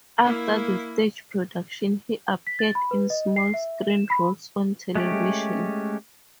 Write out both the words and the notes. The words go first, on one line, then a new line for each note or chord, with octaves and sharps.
After the stage production, he appeared in small screen roles on television.
A#3 E4
B6
A6
B5
B4
D#5
C7
E5
E7
B5
G#3 A3 C#4 G4